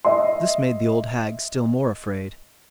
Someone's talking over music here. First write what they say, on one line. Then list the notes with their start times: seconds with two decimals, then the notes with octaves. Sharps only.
This made the old hag still more afraid.
0.05 D#5 E5 C6